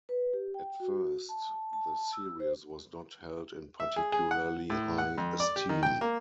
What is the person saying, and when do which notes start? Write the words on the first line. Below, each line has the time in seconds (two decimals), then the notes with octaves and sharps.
At first the series was not held in particularly high esteem.
0.09 B4
0.33 G4
0.54 G5
0.80 F#4
1.29 A5
1.73 A5
2.13 E6
2.40 C5
3.80 E5
3.96 G#4
4.12 G#4
4.31 F#5
4.70 A2
4.98 F#5
5.18 F2
5.40 D5
5.56 G4
5.69 D#3
5.83 G5
6.01 A#3